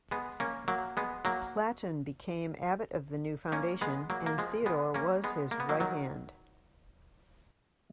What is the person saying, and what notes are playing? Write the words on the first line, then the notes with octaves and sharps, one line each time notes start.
Platon became abbot of the new foundation, and Theodore was his right hand.
G#3 B3
A#3 C#4
F#3 A#3
G#3 B3
F#3 A#3
A#3 C#4
G#3 B3
F#3 A#3
A#3
F3 G#3
G#3 B3
A#3 C#4
G#3 B3
A#3
B3
F#3 A#3
D#3 F#3